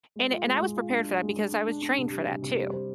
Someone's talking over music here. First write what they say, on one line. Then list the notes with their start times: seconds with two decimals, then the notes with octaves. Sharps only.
And and I was prepared for that because I was trained for that too.
0.16 G#3
0.31 F4
0.46 G#3
0.61 G#3
0.77 F4
0.91 D4
1.06 F4
1.22 G#3
1.37 D4
1.52 D4
1.68 D4
1.82 D4
1.98 C3
2.12 G3
2.27 C3
2.42 C3
2.57 G3
2.73 C5